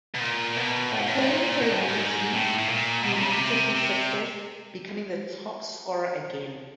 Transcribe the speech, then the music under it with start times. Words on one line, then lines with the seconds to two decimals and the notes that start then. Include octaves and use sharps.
Playing for the new team, he repeated his success, becoming the top scorer again.
0.14 B2
0.20 A#2
0.57 B2
0.92 A2
0.99 G#2
1.07 A2
1.27 A#2
1.62 B2
1.71 A2
1.80 G#2
1.88 A2
1.97 G#2
2.33 A2
2.59 A2
2.69 A#2
3.03 B2
3.13 C3
3.21 C#3
3.30 C3
3.75 C3